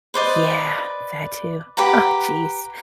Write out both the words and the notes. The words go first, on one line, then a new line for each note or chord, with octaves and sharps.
Yeah, that too. Oh, jeez.
B4 C5 D5 D#5
G4 B4 F#5 A#5